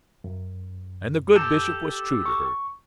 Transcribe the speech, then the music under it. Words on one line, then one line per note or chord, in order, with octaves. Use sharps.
And the good Bishop was true to her.
F#2
G4 A4
C#6